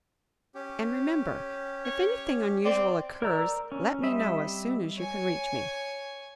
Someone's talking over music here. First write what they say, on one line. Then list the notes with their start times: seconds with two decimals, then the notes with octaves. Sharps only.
"And remember, if anything unusual occurs, let me know as soon as you can reach me."
0.55 C#4 G4
1.85 C#5
2.65 C4 D5
3.22 A#4 C5 D5 A#5 E6
3.72 C#4
4.02 G3 C4 D#5 E5
4.98 C#5 G#5